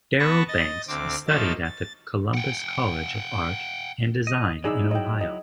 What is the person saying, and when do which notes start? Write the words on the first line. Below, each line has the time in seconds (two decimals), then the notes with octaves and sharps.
Darryl Banks studied at the Columbus College of Art and Design in Ohio.
0.19 B3 B4 A5 C#6 A#6
0.48 D#5 A6
0.88 D2 C4 D6
1.27 F3 F#3 A#3 D#4 E5 A6
1.64 A6
2.34 F#5 G5
4.27 D#5
4.64 F#3 D#4 E4 G#4 D5 E6
4.91 D#5 G5
5.21 D#5